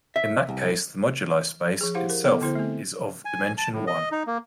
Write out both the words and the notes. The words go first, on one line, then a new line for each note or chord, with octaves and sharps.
In that case the moduli space itself is of dimension one.
E5
C2
F3 G#4
E4 G4 C5 F5 F#5
A#4
B3 A4 D#5 D6
D3 B3 E4 A4 C5
A3 C4
G#5
A5
A2
D#5
D#4
A#3